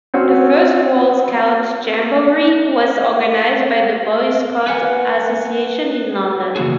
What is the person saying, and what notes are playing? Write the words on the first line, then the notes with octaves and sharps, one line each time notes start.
The first World Scout Jamboree was organized by The Boy Scout Association in London.
C4 C#4 F#4
B4 F#5 G#5
C#3 E3 A#3 F#4 G#4